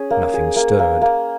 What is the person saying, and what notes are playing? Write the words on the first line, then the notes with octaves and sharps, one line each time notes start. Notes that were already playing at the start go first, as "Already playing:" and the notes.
Nothing stirred.
Already playing: C#4 G#4
A#3
G#4
A#3
A#3
A#3